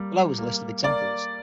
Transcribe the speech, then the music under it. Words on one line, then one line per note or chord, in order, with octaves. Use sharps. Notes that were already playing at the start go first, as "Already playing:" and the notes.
Below is a list of examples.
Already playing: G3 A#3
A#3
A#3 D5